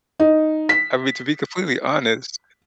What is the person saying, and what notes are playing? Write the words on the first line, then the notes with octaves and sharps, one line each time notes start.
I mean, to be completely honest
D#4
B6